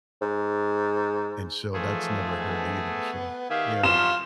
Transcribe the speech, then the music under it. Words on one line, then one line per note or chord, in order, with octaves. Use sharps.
and so that's never hurt either, so yeah.
G#2
G#2 E3 F3 A3 F4 G#4
B3
D#3 G4 G#4 E5 F5
F#2 F3 G3 F4 E7